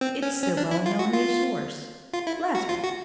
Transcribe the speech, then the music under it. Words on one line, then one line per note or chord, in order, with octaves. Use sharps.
It's the well-known resource--flattery.
C4
C#4
C#4
D4
E4
F4
F#4
F4
F4
E4
F#4
F4
F#4